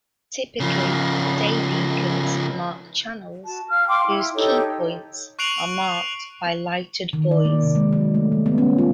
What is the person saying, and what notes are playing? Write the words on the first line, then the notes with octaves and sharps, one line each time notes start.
Typically, day beacons mark channels whose key points are marked by lighted buoys.
C#3 F3
F#4 A5
F5 F6
F5 G5 C6 D6
E4
D#4 G4 A4 C#5
C#6 F#6 C7 D7 F7 F#7
D#3
D5
A#3
C3
G#3
F#3
A3
G3
B3
C#4
F4